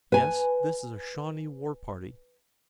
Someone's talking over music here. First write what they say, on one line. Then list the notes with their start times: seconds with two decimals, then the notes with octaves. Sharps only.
Yes, this is a Shawnee war-party.
0.12 B4 G#5